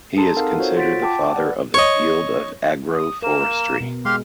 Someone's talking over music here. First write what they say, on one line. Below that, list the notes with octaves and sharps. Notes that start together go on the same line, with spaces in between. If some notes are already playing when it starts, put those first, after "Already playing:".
He is considered the father of the field of Agroforestry.
G#4 A4 A5 A#5 C6
C4 D#4 A4 A#4 F5 F#5
F4 F#4 A4 C5 C#5
F4 F#5 A6 B6 D7
G5 A5 D6
B4 D5 F#5
C#5 D#5
D#6
A#3 A#4 E7
B2
G#3 G4 F5 C6 F6